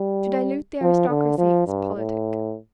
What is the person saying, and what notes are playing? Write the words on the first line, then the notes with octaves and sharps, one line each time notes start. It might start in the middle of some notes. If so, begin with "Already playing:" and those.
To dilute the aristocracy is politic.
Already playing: G3
F3
D3
F3
G2
A2